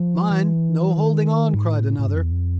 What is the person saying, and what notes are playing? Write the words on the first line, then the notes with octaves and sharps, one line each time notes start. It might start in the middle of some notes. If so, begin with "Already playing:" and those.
"Mind, no holding on!" cried another.
Already playing: F3
E3
D#3
G#2
A2
A2
G2
F2
E2
F2